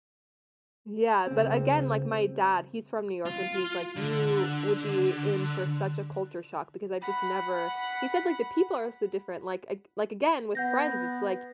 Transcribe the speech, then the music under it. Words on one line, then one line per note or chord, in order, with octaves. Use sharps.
Yeah, but again, like my dad, he's from New York and he's like, "You would be in for such a culture shock because I've just never" he said, like, the people are so different, like ag like, again, with friends, it's like
C#2 C4
F4
D3
F#5 B5
B3 F#5 G6 A#6